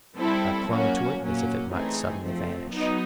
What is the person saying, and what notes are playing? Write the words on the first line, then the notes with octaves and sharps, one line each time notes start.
I clung to it as if it might suddenly vanish.
G3 C4 E4 A4
F#3 A#3 C#4 F#4
A#2 F#3 A#3 C#4
E3 A3 C4 D#4 G#4
F3 A3 C4
F#3 B3 D#4